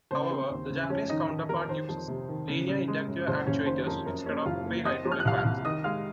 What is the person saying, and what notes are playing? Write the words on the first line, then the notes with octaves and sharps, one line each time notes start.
However, the Japanese counterpart uses linear-inductive actuators instead of three hydraulic rams.
C#3 C5
C4
D#2
C#3
F2 C#4 C#5
D#3 D#4 D#5
D#3
F2 A#4
D#3 C5
F2
C3
D#3
C#3
C#3
G#3
F#2
F#1 C5
F#1 C#4 C#5
D#3 C5
F2 A#4
F#2 A#4
A#3 C#4 C#5
F#1 F4 F5
A#3
C4 D#5 D#6
F3
F6
F#6
C2 F5 F6
F5 F6
C2
D#3 D#5 D#6
G#3 F5 F6